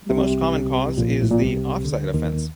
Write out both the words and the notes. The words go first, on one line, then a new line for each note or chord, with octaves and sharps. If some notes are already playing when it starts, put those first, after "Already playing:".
The most common cause is the offside offence.
C2 C3
A#1 A#2
A2
A#2
C2 C3
D2 D3
D#2 D#3